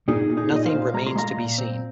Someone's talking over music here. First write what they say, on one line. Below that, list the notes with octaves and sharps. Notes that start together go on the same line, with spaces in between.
Nothing remains to be seen.
A#2 D#4 G#4
A#2
D#4 G#4
A#2
D#5
C5 F5
A#2
G#3 A#5
C6
G#3 F5 A#5
A#2
C4